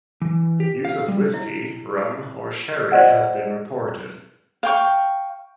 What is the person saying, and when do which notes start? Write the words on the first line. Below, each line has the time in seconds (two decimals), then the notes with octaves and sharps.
Use of whisky, rum, or sherry have been reported.
0.22 E3
0.60 G4
0.85 F5
1.08 G3
1.34 E4
2.92 F4 C5 D5 D#5 F#5
4.63 F5 G5 C#6